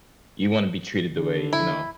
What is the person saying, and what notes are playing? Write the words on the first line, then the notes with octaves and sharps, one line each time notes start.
you wanna be treated the way, you know,
D3
E4